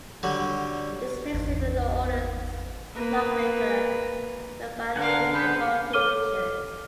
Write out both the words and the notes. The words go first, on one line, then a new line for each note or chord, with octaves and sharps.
This makes him the oldest clockmaker known by name in the Baltic region.
D3 F#3 G3
G#1 E2
A#3 B4
D3 D4 A#4 F5 F#5 G#5
C#3 B3 B4 C5 G#5
A4 C#5 D6 F6 D#7 G7